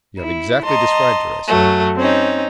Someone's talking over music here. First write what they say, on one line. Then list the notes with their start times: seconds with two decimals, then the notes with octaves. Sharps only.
"You have exactly described her," I said.
0.18 E4
0.64 D#5 A5 A#5 C6
1.48 F#2 F#3 A3
1.97 C4 C#4 D#4